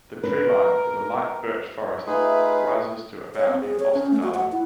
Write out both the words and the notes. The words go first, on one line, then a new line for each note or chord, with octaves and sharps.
The treeline, with a light birch forest, rises to about in Østerdalen.
A#4 B4
A3 D#4 F4 G#4 B4
C#5
C4
G#4
C#5
C#4
A3
F#4
F#5
E4